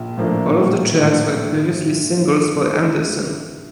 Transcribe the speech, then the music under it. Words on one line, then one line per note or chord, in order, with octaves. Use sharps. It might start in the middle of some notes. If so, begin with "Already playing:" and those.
All of the tracks were previously singles for Anderson.
Already playing: A#1
A2 F3 A#3 D4
A#1
A2 F3 A#3 D4
G2